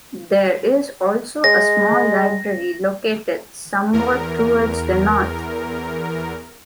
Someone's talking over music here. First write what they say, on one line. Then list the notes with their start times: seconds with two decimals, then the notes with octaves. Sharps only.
There is also a small library located somewhat towards the north.
1.44 G#3 A#6
3.93 E2 A#4